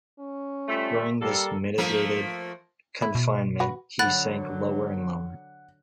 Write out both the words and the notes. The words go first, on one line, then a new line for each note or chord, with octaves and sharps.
During this mitigated confinement he sank lower and lower.
C#4
F3 G3 A3
G3 A#3 A4
F3 A3 A#3
E4
B2
F#4 B4
D3 F#3 F#5 B5 F#6 A6